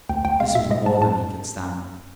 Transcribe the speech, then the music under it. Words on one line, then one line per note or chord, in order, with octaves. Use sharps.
This was more than he could stand.
D2 G5
D2 G5
G#3 F5
B2 E5
G#3 D#5
G#3 A5
A2 A5